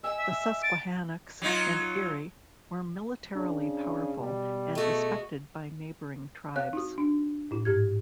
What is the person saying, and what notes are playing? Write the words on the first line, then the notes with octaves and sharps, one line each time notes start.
The Susquehannocks and Erie were militarily powerful and respected by neighboring tribes.
D#5 G#5 E6
E5
A6 D7
F#3 D#4 F4
C#3 D4
B2 G3
G#3 A3 F#4
C4 C#5 F5 F#6
D#4 F#4
D4
A2 E4
G#2 G4 G#6